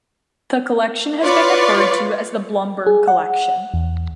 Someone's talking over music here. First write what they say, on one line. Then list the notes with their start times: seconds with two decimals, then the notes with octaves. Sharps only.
The collection has been referred to as the Blumberg Collection.
1.23 F4 B4 C#5 D5 C6 C#6
2.87 G#4
3.08 F#5
3.74 E2